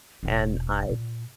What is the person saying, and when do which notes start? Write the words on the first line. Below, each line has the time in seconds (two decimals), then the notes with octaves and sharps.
and I
0.23 E1 F4
0.89 A#2